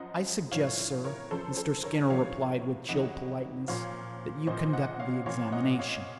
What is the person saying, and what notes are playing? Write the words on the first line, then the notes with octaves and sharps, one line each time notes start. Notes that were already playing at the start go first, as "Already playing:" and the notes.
"I suggest, sir," Mr. Skinner replied with chill politeness, "that you conduct the examination."
Already playing: F#2 F3 D#5 F#5
A2 F3 C#5 F5
A#4 C#5
F#2 F3 A4 C5
A4 C5
A#4 C#5
A2 F3 C#5 F5
F2 D#3 F#3 D#5 F#5
A#2 F3 C#5 F5
A#2 F3 C5 D#5
D#5 F#5
C#5 F5
A#2 F3 C#5 F5
D#5 F#5
C#5 F5